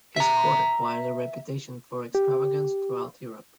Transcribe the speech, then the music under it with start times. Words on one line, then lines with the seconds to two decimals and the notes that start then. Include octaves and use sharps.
His court acquired a reputation for extravagance throughout Europe.
0.16 E5 A#5
2.15 G4